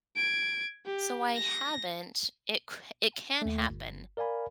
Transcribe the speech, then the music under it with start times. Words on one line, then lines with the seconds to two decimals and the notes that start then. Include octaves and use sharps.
So I haven't it c it can happen,
0.16 G#6 D7
0.86 G4
1.35 A#6
3.42 D#2 A3
3.69 G1
4.17 A#4 D5 F5 G#5 B5